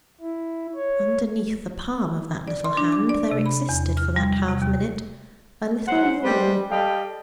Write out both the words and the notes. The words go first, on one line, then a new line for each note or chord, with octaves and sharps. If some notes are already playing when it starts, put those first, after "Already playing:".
Underneath the palm of that little hand there existed for that half-minute a little yawn.
E4
C#5
D5
C6
D4
D6
D5
C3
B5
E2
F6
G3
C3
D#2
G#2 F#3 C5 F#5
G3 G#3 B4 C5
G3 A4 D#5 F5 G5